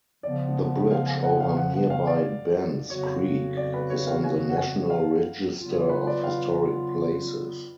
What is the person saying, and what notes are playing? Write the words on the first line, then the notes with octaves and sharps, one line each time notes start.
The bridge over nearby Bens Creek is on the National Register of Historic Places.
C#3 F3 B3 D5
F5
G#5
F#5
F5
F#5
F#5
F5
D5
F2 C#3 F#3 B3 F#4 C#5
D5
B4
C#5
F5
G#5
F#5
G#5
F5
C#3 F#3 B3 F4
C#5
B4
D5
F5